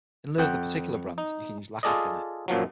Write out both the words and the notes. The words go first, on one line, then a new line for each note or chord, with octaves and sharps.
In lieu of their particular brand, you can use lacquer thinner.
F2 F#5 G5
D#4
F4 G#4 A4 D5 D#5
F#2 A#2 F3 F#3